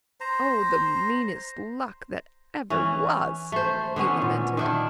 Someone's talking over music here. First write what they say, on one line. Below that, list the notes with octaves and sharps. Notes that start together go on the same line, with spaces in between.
"Oh, the meanest luck that ever was!" he lamented.
C5 A#5
E3 C#4
A3 C5
D3 B3 C#4
A#2
D#3 D4 E4